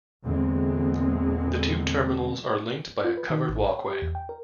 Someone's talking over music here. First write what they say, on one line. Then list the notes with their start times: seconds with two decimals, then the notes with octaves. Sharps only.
The two terminals are linked by a covered walkway.
0.24 E2 A#2 D3 G#3 C4
3.05 F4
3.17 B4
3.30 D#3
3.49 A1
3.69 C#5
3.87 G4
4.02 E2
4.15 G5
4.29 A#4